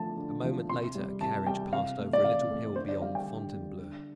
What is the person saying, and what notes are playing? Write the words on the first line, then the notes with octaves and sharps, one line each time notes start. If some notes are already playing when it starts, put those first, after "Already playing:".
A moment later a carriage passed over a little hill beyond Fontainebleau.
Already playing: D3 F3 A3 A5
D3
F3 A3
C3 C6
G3
C3 A5
G3 G5
C3 F5
A3
D5
C3 F5
A3
D3 C5
D5
G3 F5
G5
D3
G3
D3